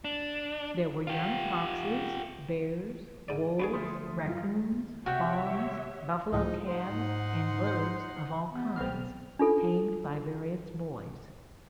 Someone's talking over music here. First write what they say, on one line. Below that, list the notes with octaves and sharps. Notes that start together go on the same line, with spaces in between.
There were young foxes, bears, wolves, raccoons, fawns, buffalo calves and birds of all kinds, tamed by various boys.
D4
F4 G4
G#2 D5
B3 D4 F#4 G#4
D2 F3 A3 C6 D#6
F#2 F4
D#3
C3 D#3 F#4 G4 C#5 E5 G5
C#2 A2 F3 D#4
D#4 C5 F#5 C6
G#2
C5
G3 B3
B1 C4 F6
D4 F4 A4